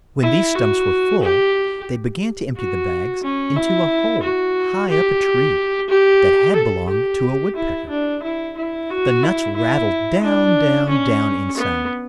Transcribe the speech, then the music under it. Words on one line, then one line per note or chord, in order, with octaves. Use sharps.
When these stumps were full, they began to empty the bags into a hole high up a tree, that had belonged to a woodpecker; the nuts rattled down--down--down inside.
E4
F#4
G4
F#4
C#4
E4
F#4
G4
G4
A4
G4
E4
D4
E4
E4
F#4
E4
E4
D4
C#4
B3